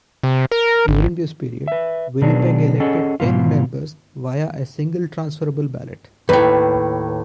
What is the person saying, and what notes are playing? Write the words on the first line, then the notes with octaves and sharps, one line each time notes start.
During this period, Winnipeg elected ten members via a single transferable ballot.
C3
A#4
G#1
B4 E5
B2 D#3 F#3 B3 D4 G#4
C#4 G#4 A4 D#5 F#5
G#2 B2 E3 F4
D#2 A2 B4